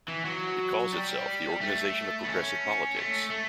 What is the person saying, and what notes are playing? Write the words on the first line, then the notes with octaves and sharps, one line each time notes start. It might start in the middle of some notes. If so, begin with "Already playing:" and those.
It calls itself the organization of progressive politics.
E3
F#3
G3
A3
B3
C#4
A3
A3